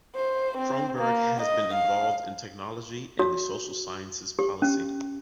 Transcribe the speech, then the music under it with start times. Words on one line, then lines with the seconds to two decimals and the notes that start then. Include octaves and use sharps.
Cronberg has been involved in technology and the social sciences policy.
0.15 C5
0.57 C4
0.98 A#3
1.41 D#5
1.73 F5
3.19 F#4
4.39 G4
4.62 C#4